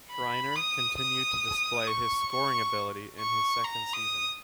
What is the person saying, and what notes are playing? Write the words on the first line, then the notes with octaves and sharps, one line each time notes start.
Schriner continued to display his scoring ability in his second season.
B5
D#6
D#6
C#6
C#6
C#6
A#5
D#6